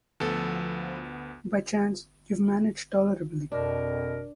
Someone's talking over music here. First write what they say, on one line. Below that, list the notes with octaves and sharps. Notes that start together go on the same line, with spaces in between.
By chance, you’ve managed tolerably.
D2 F3 B3 A4
F2 B2 D4 A#4